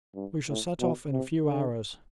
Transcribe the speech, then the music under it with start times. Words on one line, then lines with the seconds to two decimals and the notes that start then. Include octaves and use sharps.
"We shall set off in a few hours."
0.16 G2
0.49 A2
0.80 B2
1.12 C3
1.44 D3